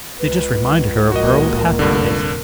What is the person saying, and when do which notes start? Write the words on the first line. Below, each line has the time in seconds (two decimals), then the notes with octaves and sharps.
They just reminded her of her old happy days.
0.19 C#2 B4
1.12 A#1 A2 A#3 F#4 A#4 D#5
1.79 F1 G2 A#2 D3